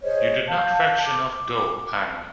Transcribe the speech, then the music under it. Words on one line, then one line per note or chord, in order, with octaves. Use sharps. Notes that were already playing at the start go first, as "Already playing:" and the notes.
You did not fetch enough dough, Anna.
G#4 C5 C#5 D#5
F5 A5 G6
D6